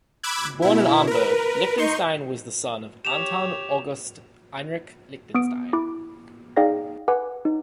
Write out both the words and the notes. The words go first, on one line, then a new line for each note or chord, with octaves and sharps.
Born in Hamburg, Lichtenstein was the son of Anton August Heinrich Lichtenstein.
B5 D6 E6 F#6 G#6
B2 E4
A#4 B4
D#4 C6 C#6 G6
G4 C#5 E7 F7
B3 D#6 D7
E4 D6
D#4 G#4 D5 F5 G5 A#6
B4 F#5 G#5 D6
D#4